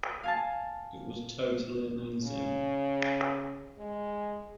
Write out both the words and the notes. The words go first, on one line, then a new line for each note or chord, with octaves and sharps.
It was totally amazing.
F5 G#5 A5
C#3
G#3